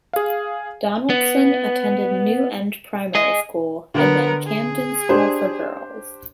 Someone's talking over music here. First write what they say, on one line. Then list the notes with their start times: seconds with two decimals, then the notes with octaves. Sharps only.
Donaldson attended New End Primary School and then Camden School for Girls.
0.13 G#4 F5
1.10 B3
3.15 G#4 D#5
3.95 D3 B3 A#4
4.46 G#4
5.09 D4 G4 C5